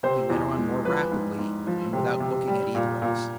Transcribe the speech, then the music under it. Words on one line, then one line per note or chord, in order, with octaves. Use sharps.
He went on more rapidly, and without looking at either of us.
C3 C5
E2
G#3
F3 B4
G#2
G#2
F3
C3
C3
G3
A#2
A#2